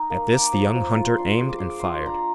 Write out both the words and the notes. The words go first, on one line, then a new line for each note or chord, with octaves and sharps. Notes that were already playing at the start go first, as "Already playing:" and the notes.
At this the young hunter aimed and fired.
Already playing: D#4 A#5
A#3
A#3 D6
F3
F3
F4
D4 C6
D6
G#3 C6
D6
G#3 C6
D6
F4 C6
D4 A#5